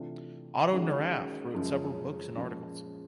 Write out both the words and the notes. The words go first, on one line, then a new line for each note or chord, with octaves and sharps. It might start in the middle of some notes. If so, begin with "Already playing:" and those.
Otto Neurath wrote several books and articles.
Already playing: C3 E3 A3 D4 F4
D#3 G#3 C#4 F#4
F#2 C#3 F3 G#3
A#2 F3 G#3 C#4 F4